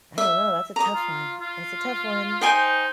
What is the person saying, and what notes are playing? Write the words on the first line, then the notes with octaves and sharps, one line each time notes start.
I don't know. That's a tough one. That's a tough one,
E5
A#5 D#6
F4
F4
D#4 C5 G5 G#5